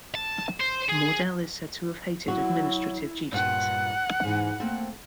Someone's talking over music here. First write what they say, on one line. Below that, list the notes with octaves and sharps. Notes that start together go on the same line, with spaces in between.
Mordell is said to have hated administrative duties.
A5
C5
G#4
F#3 E4 F#4
G2 A#2 F#5
G#2 E3
A3 A#3 C4